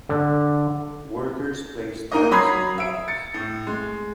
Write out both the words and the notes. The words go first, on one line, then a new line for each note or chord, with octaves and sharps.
Workers place tiles on walls.
D3
A#3 D#4 A#4 D#5
F#3 A#5 B5 D#6 G#6 C7
E5 D7
A6 C#7
A2
G#3